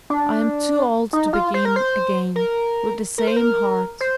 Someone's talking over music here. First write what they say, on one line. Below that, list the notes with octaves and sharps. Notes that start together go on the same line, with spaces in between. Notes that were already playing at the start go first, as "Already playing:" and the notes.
I am too old to begin again with the same heart.
D4
D#4
F4
C5
A#4
C5
A#4
A#4
C5
A#4
C5